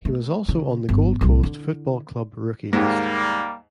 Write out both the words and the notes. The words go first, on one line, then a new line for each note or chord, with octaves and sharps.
He was also on the Gold Coast Football Club rookie list.
A3
C#3
G1
C2 G3
D3 E4
D#2 G#2 G3 A#3